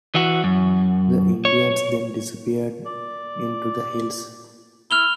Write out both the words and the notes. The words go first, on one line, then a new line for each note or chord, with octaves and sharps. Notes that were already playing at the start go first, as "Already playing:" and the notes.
The Indians then disappeared into the hills.
E3 F#4
F#2
C#5
D5
E4 F6 F7 G7